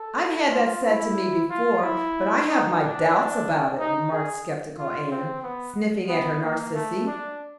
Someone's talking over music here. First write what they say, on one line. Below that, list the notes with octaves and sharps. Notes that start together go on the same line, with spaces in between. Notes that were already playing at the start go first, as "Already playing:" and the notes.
"I've had that said to me before, but I have my doubts about it," remarked skeptical Anne, sniffing at her narcissi.
Already playing: A4
F4
E4
F4
E4
D#4
D4
D#4
G#4
F4
C4
B3
B3
A#3
A3
D4